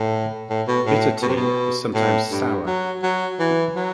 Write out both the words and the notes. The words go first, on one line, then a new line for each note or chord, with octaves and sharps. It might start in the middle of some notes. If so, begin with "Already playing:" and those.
Bitter tea is sometimes sour.
Already playing: A2
A2
B2
A2
B2
C3
B2
A2
G2
F#3
F#3
E3
F#3